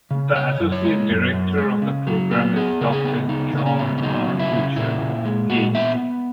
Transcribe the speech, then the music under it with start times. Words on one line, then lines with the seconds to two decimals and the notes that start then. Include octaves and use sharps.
The Associate Director of the Program is Doctor John R. Bucher, Ph.D.
0.11 C#3
0.36 C#3 C#5
0.60 F#2
0.72 C#5
0.85 G#3
1.09 F#2
1.33 F#2
1.58 G#3
1.82 C#3
2.07 F#3
2.31 B3
2.56 B3 G#4
2.81 C#3 A#4
2.92 G#4
3.05 B3
3.29 C#3 D#4
3.53 C#3 D#4
3.66 C#4
3.79 B3
3.98 C#4
4.03 F#3 D#4
4.27 C#3
4.39 E4
4.52 C#3
4.76 A#2 E4
5.01 A#2
5.25 G#3
5.50 A#2 F#4
5.75 B3 E5